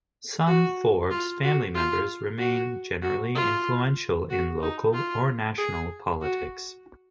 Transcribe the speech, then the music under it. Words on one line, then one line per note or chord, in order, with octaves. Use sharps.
Some Forbes family members remain generally influential in local or national politics.
F#4
F4
F#4
F4
F#4
F#4
F4
F#4
D#4
F4
G#4
F#4